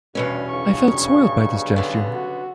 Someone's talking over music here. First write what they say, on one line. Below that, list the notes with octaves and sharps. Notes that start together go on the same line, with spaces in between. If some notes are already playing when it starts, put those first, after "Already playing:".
I felt soiled by this gesture.
E2 G2 B2 C#4 B4
B1 G2 C#3 C#6
D3 B3
F#4